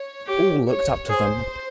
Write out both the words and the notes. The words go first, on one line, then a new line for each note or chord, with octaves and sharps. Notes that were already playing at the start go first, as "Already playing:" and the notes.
All looked up to them.
Already playing: C#5
G4
C#5
G#4 C5